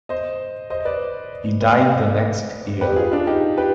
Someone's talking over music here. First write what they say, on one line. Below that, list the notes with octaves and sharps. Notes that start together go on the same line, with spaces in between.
He died the next year.
C5 D#5
C5 D#5
B4 D5
B4 D5
D5 F5
C5 D#5
B4 D5
G4 B4
F4 G#4
D4 F4
D#4 G4
G4 B4